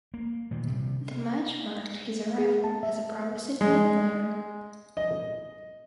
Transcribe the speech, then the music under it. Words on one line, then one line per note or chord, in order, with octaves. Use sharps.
The match marked his arrival as a promising young player.
A#3
A#2 D#3 A#3
C3 G3
G#4
A5
E5
G#3
D#5